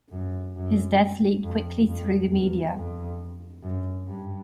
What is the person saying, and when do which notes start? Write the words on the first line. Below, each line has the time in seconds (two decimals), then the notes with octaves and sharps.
His death leaked quickly through the media.
0.12 F#2
0.56 F#2
1.43 F2
1.87 F2
2.32 E2
2.76 F2
3.63 F#2
4.07 G2